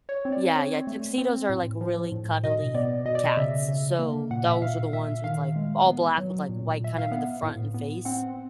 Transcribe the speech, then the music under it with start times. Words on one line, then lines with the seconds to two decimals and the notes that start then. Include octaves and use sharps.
Yeah, yeah, tuxedos are, like, really cuddly cats. So, those are the ones with, like, all black with, like, white kind of in the front and face
0.09 C#5
0.25 C4
0.32 D5
0.56 C4 C#5
0.87 A3
1.18 C4
1.49 A2
1.81 F3
2.12 A2
2.43 B2 D#5
2.75 B3 D5
3.05 B2 D#5
3.15 D5
3.24 D#5
3.37 C#3 E5
3.68 C#3
3.99 A#3
4.31 A#2 F#5
4.51 E5
4.62 A#2 F5
4.93 A#2 E5
5.24 D#3 F5
5.56 G#3
5.87 B3
6.18 F#3
6.49 A#2
6.81 A#2 E5
6.98 F5
7.11 B3 F#5
7.43 A2
7.74 B3
8.05 C4 F#5